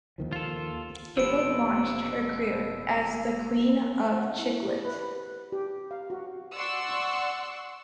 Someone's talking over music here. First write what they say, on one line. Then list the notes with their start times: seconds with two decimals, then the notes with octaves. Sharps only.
The book launched her career as "the queen of chick lit".
0.18 D#2 D#3 F3
0.33 F4 A4
1.17 E1 F2 B2 F3 B3 G4 E6 D7
4.17 F#5
4.39 E4
4.62 G4
4.85 B4
5.52 G4
5.91 F5
6.10 F#4
6.55 D5 F#5 C6 C#6 E6